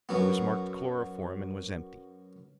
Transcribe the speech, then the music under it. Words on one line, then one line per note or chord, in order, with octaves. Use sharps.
It was marked chloroform and was empty.
F#2 F#3 B3